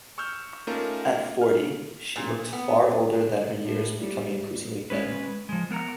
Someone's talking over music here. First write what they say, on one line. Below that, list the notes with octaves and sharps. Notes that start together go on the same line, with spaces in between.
At forty, she looked far older than her years, becoming increasingly thin.
C#6 E6 F6 G6
A3 A#3 C#4 D#4 F4 A#4
F6
A#2
B3
A2
G3
G#3 C#4 B4
F3 G#3
B3 A#4 F#5 A#5